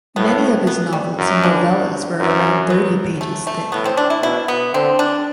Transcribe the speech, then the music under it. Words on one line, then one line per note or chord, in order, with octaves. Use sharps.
Many of his novels and novellas were around thirty pages thick.
A2 B3
B3
G3
F#2
D4
F#2
B3
A3
A3
A2 B3
C4
D4
E4
B2 E4
B3
D3 C4
D4